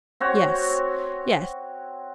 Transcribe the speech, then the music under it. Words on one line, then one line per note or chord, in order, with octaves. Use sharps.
Yes, yes.
C4 F#4 C#5